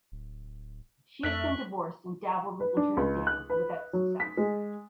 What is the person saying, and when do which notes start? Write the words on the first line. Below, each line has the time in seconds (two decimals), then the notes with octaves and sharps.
She has been divorced and dabbled with internet dating without success.
0.12 D1
1.23 F2 A3 A#4 E5 F#6 B6 F#7
2.60 B4
2.77 D4
2.97 C#2
3.27 F#6
3.50 B4
3.93 F#3
4.20 B6
4.37 G#3